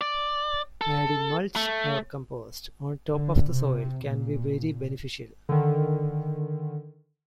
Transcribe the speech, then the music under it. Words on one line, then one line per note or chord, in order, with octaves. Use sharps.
Adding mulch or compost on top of the soil can be very beneficial.
D5
A4
A3
D3
C3
A#2
D3 D#3